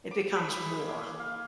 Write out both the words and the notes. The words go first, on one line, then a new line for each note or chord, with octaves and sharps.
it becomes more.
D6
B5
G#4
A#3
F5